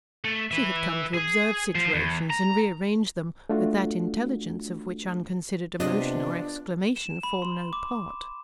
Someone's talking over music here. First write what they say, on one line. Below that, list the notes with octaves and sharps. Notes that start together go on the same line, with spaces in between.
She had come to observe situations and rearrange them with that intelligence of which unconsidered emotion or exclamation form no part.
A3
B4 E5
G#4
F3 C5
E2
A#5
A3 D4 F4 F#4 A4
C3 B3 D4 F4 D#5
E7
B5
C6
D6